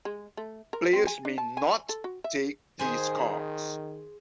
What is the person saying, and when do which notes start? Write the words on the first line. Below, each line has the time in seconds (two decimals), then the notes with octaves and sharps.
Players may "not" take these cards.
0.05 G#3
0.37 A3
0.73 A#4
0.93 C4
1.07 G#5
1.25 D4
1.38 A5
1.57 G#5
1.89 A4
2.04 F#4
2.24 E5
2.79 D#3 G#4 C5 G#5